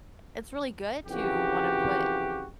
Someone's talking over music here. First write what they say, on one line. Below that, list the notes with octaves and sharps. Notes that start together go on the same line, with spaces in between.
it's really good to wanna put
F2 C#3 E3 F#4 G4